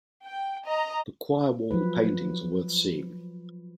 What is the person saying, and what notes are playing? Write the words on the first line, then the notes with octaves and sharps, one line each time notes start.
The choir wall paintings are worth seeing.
G5
D#5 A#5
F3 F#3 B4